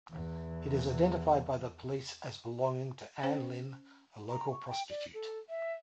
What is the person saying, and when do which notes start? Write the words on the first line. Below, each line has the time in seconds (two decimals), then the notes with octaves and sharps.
It is identified by the police as belonging to Ann-Lynne, a local prostitute.
0.10 E2 E3
3.23 C#4 C5 G5
4.30 A#5
4.52 C#6
4.70 G5
4.90 D5
5.14 A4
5.49 E5